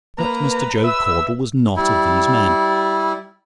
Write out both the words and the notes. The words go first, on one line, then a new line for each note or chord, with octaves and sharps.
But Mr. Job Caudle was not of these men.
A#3 B4 A#5
E5 E6
G3 E4